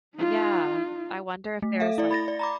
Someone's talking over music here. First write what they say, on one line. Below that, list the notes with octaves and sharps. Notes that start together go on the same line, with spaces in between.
Yeah. I wonder if there's, like
D#4 F4
A3
A4 E5 F5
E4 D5
B5 A6 A#6
D5
A#5 B5 D6